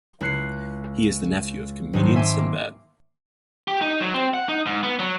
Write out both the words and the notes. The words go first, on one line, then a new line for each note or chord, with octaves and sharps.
He is the nephew of comedian Sinbad.
C#2 E4 F#6 C7 C#7
G#1 G#2 F#3 D#4 C6
E5 G#5 C6 D6
A#3
G4
D#4
F#3
C4
F#5
D#4
G#2
B3
F#3